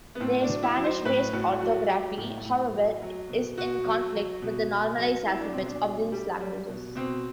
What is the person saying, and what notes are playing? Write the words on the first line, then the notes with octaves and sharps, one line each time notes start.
Their Spanish-based orthography, however, is in conflict with the normalized alphabets of these languages.
B3
A2 C4
D4
F#3
E4
F#3
C5
A2 B4
A2 F#4
F#3 F#4
F#3 G4
A2
A2
F#3
F#3
B2
B2 F#4
F#3
F#3
B2
B2
F#3
F#3 E4
D4
B2 C4
D4
B2
G3
G3
B2
B2 C4